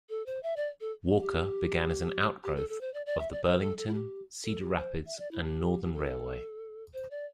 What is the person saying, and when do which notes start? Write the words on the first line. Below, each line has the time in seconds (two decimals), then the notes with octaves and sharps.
Walker began as an outgrowth of the Burlington, Cedar Rapids and Northern Railway.
0.09 A4
0.26 C5
0.43 E5
0.57 D5
0.81 A4
1.19 G4
2.44 G4
2.56 A4
2.69 A4
2.81 C5
2.94 D5
3.06 D5
3.19 E5
3.32 D5
3.44 C5
3.60 A4
3.78 A4
3.87 E4
3.94 G4
4.44 A4
4.61 G4
4.77 C5
5.06 E5
5.19 D5
5.31 E4
5.44 G4
5.83 G4
5.94 A4
6.94 C5
7.11 D5